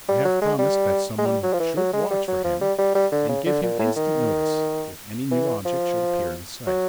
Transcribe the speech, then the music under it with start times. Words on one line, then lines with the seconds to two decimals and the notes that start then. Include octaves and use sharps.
I have promised that someone should watch for him and give him instant notice if any new object should appear in sight.
0.09 G3
0.25 F#3
0.42 G#3
0.59 G3
1.18 G#3
1.26 G3
1.43 F#3
1.53 F3
1.60 E3
1.77 F#3
1.93 G#3
2.11 G3
2.28 F#3
2.44 F3
2.61 G3
2.79 G3
2.95 G3
3.12 D3
3.29 C#3
3.46 D3
3.63 A#2
3.79 A2
3.96 D#3
5.31 E3
5.65 F3
6.67 F#3